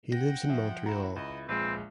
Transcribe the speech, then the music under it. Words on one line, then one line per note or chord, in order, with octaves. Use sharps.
He lives in Montreal.
F#5 G5 A#6
F3 E5
E4 F#4 A#5
C#2 E4 D#5
A#1 G#3 C4 F4 B4